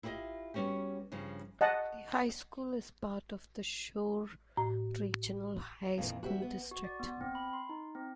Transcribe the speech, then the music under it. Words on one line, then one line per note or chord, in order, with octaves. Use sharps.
The high school is part of the Shore Regional High School District.
E4 F4 G4 C5 D#5
G3 B3 C#4 F#4 G4
G2 C#3 F3
D#5 F#5 A5
A2
F2 A#2 D3 E3
F#4 G4 C5 E5
B3
F#4
D5
B3
C4
B5
C6
D#4
C4